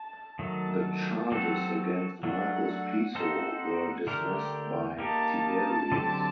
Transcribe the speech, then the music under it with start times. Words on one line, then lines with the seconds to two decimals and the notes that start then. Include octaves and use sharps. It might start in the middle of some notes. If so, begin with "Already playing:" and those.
The charges against Marcus Piso were dismissed by Tiberius.
Already playing: A5
0.39 D#3 F#3 A3 A5
1.32 F#3 C4 F#4 A4
2.23 F#3 A3 D4 F#5
3.15 C4 D#4 A4 C5 F#5
4.07 D3 A3 D4 G4 A#4 G5
4.99 A#3 D#4 G4 A5
5.92 D3 F#3 C4 G4